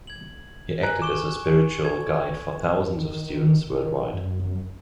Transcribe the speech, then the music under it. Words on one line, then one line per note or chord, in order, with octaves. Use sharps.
He acted as a spiritual guide for thousands of students worldwide.
G#6 F#7
G#5 A#5 F#6
C#6 D6 E7
G#6
D#3
D#3
F#2